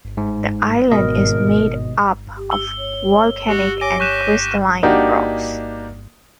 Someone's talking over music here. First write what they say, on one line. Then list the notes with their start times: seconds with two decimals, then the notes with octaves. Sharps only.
The island is made up of volcanic and crystalline rocks.
0.17 G#2
0.92 G#1 B2 A#4 D#5
2.37 G4
2.51 E6 G7
2.78 C#5
3.49 F#4 G4
3.81 C#5 G#5 D6 A#6
4.00 G4 C#6 F#6 E7
4.83 A#3 D4 D#4 F#4 G4